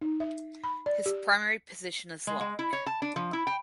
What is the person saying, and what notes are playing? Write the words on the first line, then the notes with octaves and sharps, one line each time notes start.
His primary position is lock.
D#4
E5
B5
D5
G4
G#3
G#3
E4
C#5
A5
D4
F3
E4
G5